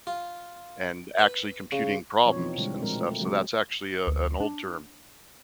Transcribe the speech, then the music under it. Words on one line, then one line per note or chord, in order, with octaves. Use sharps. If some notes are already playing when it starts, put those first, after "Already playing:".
and actually computing problems and stuff- so that's actually, a an old term.
F4
B4
C#3
B2 F3 C4 C#5
E3 F3 B3 C4 D#4
B2 D3 G3 G#3
A#2 F3 G#3 C4 A#4
A3
C#3 F#3 G#3 C4
D2
D4